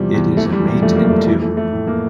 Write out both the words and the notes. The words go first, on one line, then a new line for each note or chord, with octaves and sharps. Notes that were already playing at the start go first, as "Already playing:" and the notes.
It is a mate in two.
Already playing: E2 C3 F3 G3
E2
E3 A3
G3
E3
G3
F2 A3
A#3
F2 A3
E3 A3
A3
E3
A3
A2
A#3